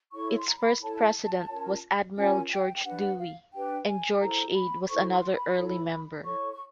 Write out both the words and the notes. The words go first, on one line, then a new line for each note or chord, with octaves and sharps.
Its first president was Admiral George Dewey, and George Ade was another early member.
E4 A4 C#5 C#6
C6
A#5
B5
E4 A4 C#5 A5
C#4 F4 A#4 C#5
C#4 F4 A#4 C#5 G#5
G5
G5
D4 G4 B4 F#5
F#5
F5
D4 G4 B4 G5
G#5
E4 A4 C5 A#5
B5
E4 A4 C5 C#6
C6
B5
E4 A4 C#5 B5
E4 A4 C#5 C#6
C#6